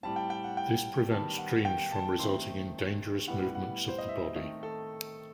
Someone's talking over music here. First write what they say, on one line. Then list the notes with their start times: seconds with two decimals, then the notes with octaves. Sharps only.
This prevents dreams from resulting in dangerous movements of the body.
0.03 A2 G3 C4 A5
0.16 G5
0.30 G5
0.44 F#5
0.57 G5
1.11 D#3 G3 B3 A5
1.38 F#5
1.65 G5
1.92 A5
2.19 D#3 A3 C4 C6
3.28 A2 G3 B3 F#5
3.55 F#5
3.89 C5
3.98 D#5
4.09 E5
4.36 D#3 A3 C4 D#5
4.63 A4